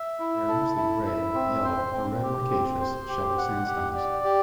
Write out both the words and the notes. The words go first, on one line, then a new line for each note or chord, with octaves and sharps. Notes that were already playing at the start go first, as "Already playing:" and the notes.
They are mostly grey, yellow or red micaceous, shaly sandstones.
Already playing: E5
E4
A4
E4
E5
C4
C5
C4
G4
C4
C5
G4
F#5
G4
D5
G4